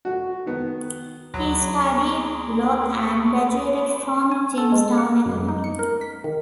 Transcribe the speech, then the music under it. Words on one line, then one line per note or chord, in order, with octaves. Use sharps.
He studied law and graduated from Jamestown Academy.
F#4
D#3 B3
D2 F#3 G#4 B5 C6 D6
G#5
A4
G#3
F#5
F#2
D#4
C#7
A#4
B6
D#3